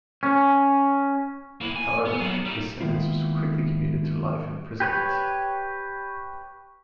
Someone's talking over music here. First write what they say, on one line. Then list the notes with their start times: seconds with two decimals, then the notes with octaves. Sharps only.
However, his sentence was quickly commuted to life imprisonment.
0.23 C#4
1.61 A#3 E4
1.76 G#5
2.06 B3
2.20 F#3 B3
2.45 G3 D#4
2.81 D#3 G#3 A#3 B3 E4 F4
4.80 G4 B4 C#5 B5